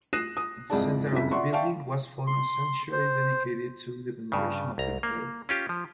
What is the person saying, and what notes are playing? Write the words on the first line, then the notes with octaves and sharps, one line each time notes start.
At the center of the building was found a sanctuary dedicated to the veneration of the emperor.
D#6 F#6 A#6 C7 D#7 E7
D#6
C2 F2 G#2 G#4 D5 A5
F#1 C2 F2 E5 B6
D5 E5 F#5 C6 C#6
D5 E5 F5 G5 A5 C#6
C6
C5
G2 C#3
C2 A#5
A#3
C#4 F4 G4
F3